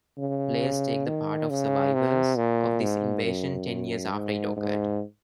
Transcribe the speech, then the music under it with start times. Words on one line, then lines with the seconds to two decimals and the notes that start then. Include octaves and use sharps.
Players take the part of survivors of this invasion ten years after it occurred.
0.18 C#3
1.07 D#3
1.50 C#3
1.94 C3
2.37 A#2
2.82 G#2
3.25 F#2
4.13 G#2
4.57 G#2